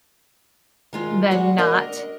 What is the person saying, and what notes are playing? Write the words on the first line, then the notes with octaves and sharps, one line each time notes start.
than not,
D#3 G#3 F4
G3 G#3 F#4 F#5
D4 A#4 D#5